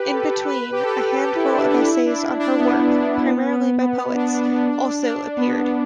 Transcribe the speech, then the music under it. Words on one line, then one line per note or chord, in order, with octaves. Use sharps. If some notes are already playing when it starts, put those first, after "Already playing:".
In between, a handful of essays on her work, primarily by poets, also appeared.
Already playing: G4 B4
A4
B4
G4
A4
G4
E4
D4
D4
E4
D4
D4
B3
D4
D4
B3
D4
D4
B3
B3